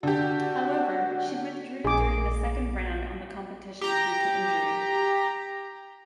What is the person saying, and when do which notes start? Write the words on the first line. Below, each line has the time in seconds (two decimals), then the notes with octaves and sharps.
However, she withdrew during the second round on the competition due to injury.
0.03 D3 F#4 G4
1.85 A#1 G#4 D6
3.81 G4 A#5